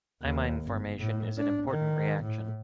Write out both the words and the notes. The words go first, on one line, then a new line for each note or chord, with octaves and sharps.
Imine formation is an important reaction.
D#2
G1
A2
D4
D#3
A2